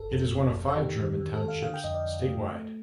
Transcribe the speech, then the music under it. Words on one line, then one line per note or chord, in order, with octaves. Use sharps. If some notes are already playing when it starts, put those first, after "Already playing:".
It is one of five German Townships statewide.
Already playing: G1 A4
F2
F2
F2
A4
D#3 G4
D#3
D#3
A4
D#3
F5
D3 F5
G5
F2 D#5
D5
F2
A3
A3